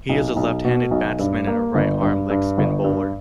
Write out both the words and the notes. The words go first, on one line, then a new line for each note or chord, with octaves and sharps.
He is a left-handed batsman and a right-arm leg-spin bowler.
B1
B1
B2
B1
G2
A#3
G1
G2
G2
G1
G2